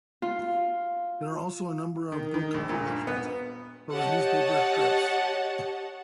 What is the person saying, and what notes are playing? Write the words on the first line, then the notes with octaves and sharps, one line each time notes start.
There are also a number of book compilations of his newspapers' strips.
F4
D#3
D#3
A#1
A#2
G2
B3
G4 C#5 D#5 F#5 A5